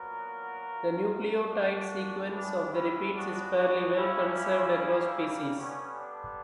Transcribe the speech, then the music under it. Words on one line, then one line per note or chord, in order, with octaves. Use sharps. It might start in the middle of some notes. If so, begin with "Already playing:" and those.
The nucleotide sequence of the repeats is fairly well conserved across species.
Already playing: A#2 F#3 B3 F#4 A#4
A#2 A#3
D4 F#4
C#3 E3 G3 B3 D4
C#4 E4
D4 F#4
D4 F#4
C#3 G3 A#3 C#4 E4
D3 G3 B3 C#4
D4